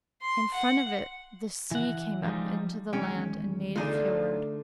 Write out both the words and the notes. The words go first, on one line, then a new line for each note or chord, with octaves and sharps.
In front of it the sea came up into the land and made a fiord.
C6
F#5
E3 F#5
F3 G3 G#3 D#4
E2 D#3 G#3 C#4 G5
D3 A3 D4 D#4 F4 G#4